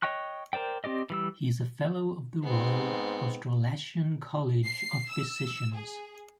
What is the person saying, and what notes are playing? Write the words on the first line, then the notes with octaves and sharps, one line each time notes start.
He is a Fellow of the Royal Australasian College of Physicians.
C#5 D#5 G5 C#6 F#6
A#4 C5 D5 G5
C4 G4 D5 D#5
E3 G3 E6
G#2 B3 C4
C7
E6
G#4